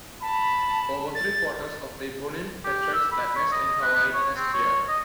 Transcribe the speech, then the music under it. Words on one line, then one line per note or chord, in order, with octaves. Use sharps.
Over three-quarters of the Bonin petrels that nest in Hawaii nest here.
A5 B5
A6
G4
E6
B5
C#5
D#5
B4
B3
C#5
C4
C#5
D#5